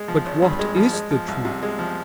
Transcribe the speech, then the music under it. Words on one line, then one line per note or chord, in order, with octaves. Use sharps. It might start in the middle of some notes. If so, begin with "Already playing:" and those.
"But what is the truth?"
Already playing: G#3
F3
G#1
G2
G#3
F3
G#3
F3
C2
C3
G#3
F3